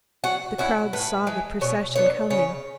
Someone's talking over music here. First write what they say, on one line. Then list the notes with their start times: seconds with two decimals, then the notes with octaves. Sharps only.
The crowds saw the procession coming.
0.24 F#3 F#4
0.58 C#4 E4 F#4
0.93 A2 B4
1.27 E3 G#3
1.61 B2 C#5
1.96 F#3 B3 D4 C#5
2.30 C#3 C#5